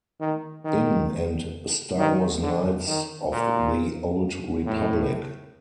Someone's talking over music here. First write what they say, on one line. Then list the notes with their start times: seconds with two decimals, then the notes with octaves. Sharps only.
In and Star Wars Knights of the Old Republic.
0.20 D#3
0.65 D#3
1.98 D#3
2.43 D3
2.87 D#3
3.32 A#2
4.66 A2